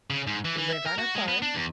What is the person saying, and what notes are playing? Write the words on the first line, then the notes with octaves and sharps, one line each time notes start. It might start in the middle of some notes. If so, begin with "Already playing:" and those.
live on a farm,
C#3
G#2
E3
E3
E5
A#4
F#4
G#3
B3
D4
E2